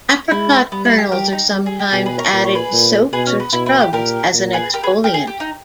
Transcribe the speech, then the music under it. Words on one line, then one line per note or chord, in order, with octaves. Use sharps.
Apricot kernels are sometimes added to soaps or scrubs as an exfoliant.
G#3 E4
G3 B3
E4
G4
G3 G4 A#4
D#4
G3
G#4
G4
B2 G#4
G#4 B4
A#4 C#5
A#2 B4
C#5
G#4 B4
A#2
B2 G#4 B4
C#4
B3
B2 E4
E4
G4
A#2 G4 A#4
A#2
G#4 B4
G4 A#4
G#4 B4
G4 A#4
G#4
G4
D#4